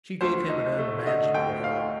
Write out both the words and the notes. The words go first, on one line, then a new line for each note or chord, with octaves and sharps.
She gave him an unimaginable hell.
D2 C5
D#4
A3
D3 D#5
D2 G5
D#4 F5